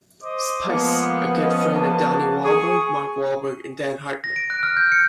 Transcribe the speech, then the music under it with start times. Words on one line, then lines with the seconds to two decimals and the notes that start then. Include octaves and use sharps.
Spice, a good friend of Donnie Wahlberg, Mark Wahlberg, and Dan Hartman.
0.23 C5 D#5 D6
0.67 F3 G#3 A#3 B3
1.37 C#4 D#5
1.73 A#3 F#4 A5
2.44 G#4 C#6
4.24 A#6
4.36 D7
4.50 F#6
4.63 F6
4.77 G6
4.92 C#7